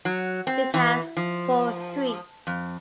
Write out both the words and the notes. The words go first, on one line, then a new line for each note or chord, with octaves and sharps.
It has four streets.
F#3
C4
E3
F3
F2